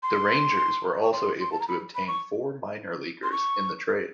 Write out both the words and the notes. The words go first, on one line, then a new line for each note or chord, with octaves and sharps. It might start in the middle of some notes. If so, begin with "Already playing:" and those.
The Rangers were also able to obtain four minor leaguers in the trade.
C6
C#6
C6
C6
A5
A#5
B5
B5
C#6
C6
C#6